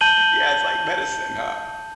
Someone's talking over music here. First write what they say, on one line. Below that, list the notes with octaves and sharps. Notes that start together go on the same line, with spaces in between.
Yeah, it's like medicine, huh?
A5 G6 D#7 F#7 G7